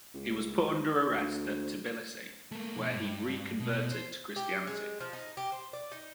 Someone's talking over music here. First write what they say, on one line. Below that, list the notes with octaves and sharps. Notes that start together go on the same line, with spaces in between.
He was put under arrest at Tbilisi, where he reconverted to Christianity.
C#2
D2
A3 A#3
B2 F3
G2
B2
C5
G4
G#3
F3
D#4
G4
C5
D5
D#4